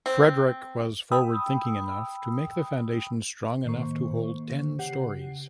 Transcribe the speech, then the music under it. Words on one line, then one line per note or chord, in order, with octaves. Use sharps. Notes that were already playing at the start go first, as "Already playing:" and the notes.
Frederick was forward-thinking enough to make the foundation strong enough to hold ten stories.
C4
G5 B5 D#6 E6
A2 D#3 A#3 C5 C#6
C#3 G4 F#5 C7